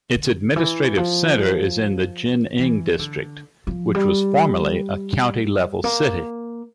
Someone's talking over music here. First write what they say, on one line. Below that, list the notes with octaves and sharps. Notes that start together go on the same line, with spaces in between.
Its administrative centre is in Jining District, which was formerly a county-level city.
D3
E3
F3
E3
D3
F3
G3
A#3